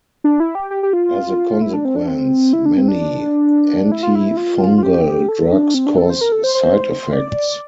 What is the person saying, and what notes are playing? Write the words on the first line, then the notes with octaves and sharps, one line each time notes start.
As a consequence, many antifungal drugs cause side-effects.
D4
E4
G4
G4
G4
F4
E4
D4
C4
D4
C4
E4
D4
C4
D4
E4
F4
E4
F4
F4
G4
A4
D4
C4
D4
A4
C5
A#4
A4
C5
C5
D5